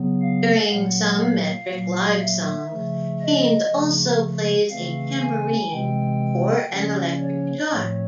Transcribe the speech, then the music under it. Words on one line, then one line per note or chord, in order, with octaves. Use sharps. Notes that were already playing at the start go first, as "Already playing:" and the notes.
During some Metric live songs, Haines also plays a tambourine or an electric guitar.
Already playing: C#3 F#3 B3
F5
A#2 F#3 A#3 F#5
F5
A#2 F#3 A#3
E5
C#3 F3 A3
D#5
C#3 F3 A3
C#3 E3 A3 C4 F5
G#5
C3 E3 G#3 C4 G5
C#3 F3 A#3 C#4 D5
C#5
A2 F3 A3 C4 C#5